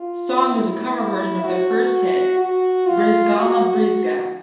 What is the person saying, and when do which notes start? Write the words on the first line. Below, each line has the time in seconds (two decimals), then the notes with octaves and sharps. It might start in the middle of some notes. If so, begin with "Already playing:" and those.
The song is a cover version of their first hit Brizgalna Brizga.
Already playing: F4
0.48 E4
1.44 F#4
2.40 F#4
2.88 F4
3.36 F#4